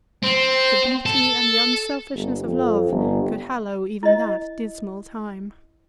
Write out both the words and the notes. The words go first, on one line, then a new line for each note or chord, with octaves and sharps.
The beauty and the unselfishness of love could hallow even that dismal time!
C4
A4
G1
F2
G1
E4 D#5